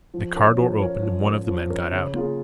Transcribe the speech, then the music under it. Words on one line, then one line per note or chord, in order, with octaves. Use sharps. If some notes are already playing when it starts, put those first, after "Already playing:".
The car door opened, and one of the men got out.
F3
C#4 A#4 C#5
F3
C#4 A#4 C#5
F3
C#4 A#4 C#5
F3
C#4 A#4 C#5
C#3
A#3 F4 G#4